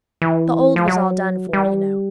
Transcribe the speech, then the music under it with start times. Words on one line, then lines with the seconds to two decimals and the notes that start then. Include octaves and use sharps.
The old was all done for, you know.'
0.22 E3
0.76 F3
0.88 F#3
1.53 G3